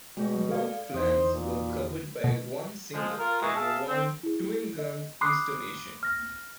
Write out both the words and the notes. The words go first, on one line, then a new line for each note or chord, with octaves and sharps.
Both flanks were covered by one single and one twin gun installation.
B2 G#3 A3 G#4
A4 D5 F5
E2 E3 D#4 C5 D#6
A#2
F#4
B2
F3 G#3
F4 A#4
E3 G#3 F#4
G#4 E5 F5 A5
C4
E4 G#4
D#5
B5 C6 D6 D#6 F#6 C7
F6 A#6